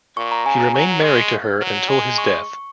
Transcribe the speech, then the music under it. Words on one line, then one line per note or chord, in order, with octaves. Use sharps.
He remained married to her until his death.
A#2 C#6
A#5
C#3 G#5
A#5
F#3 C#6
G#3
F#3
G#3 G#5
C#6